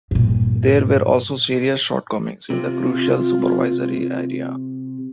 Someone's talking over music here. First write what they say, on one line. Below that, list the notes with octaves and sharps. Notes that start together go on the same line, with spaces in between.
There were also serious shortcomings in the crucial supervisory area.
G2 A#2
C3 F4